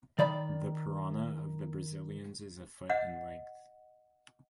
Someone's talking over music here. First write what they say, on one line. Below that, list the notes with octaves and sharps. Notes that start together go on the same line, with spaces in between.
The piranha of the Brazilians is a foot in length.
D#3 D5 B5
D#5 F#5